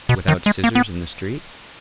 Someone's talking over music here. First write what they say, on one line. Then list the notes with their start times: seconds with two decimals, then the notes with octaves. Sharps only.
"Without scissors, in the street?"
0.09 B2
0.28 D#3
0.46 G#3
0.64 A#3
0.75 B3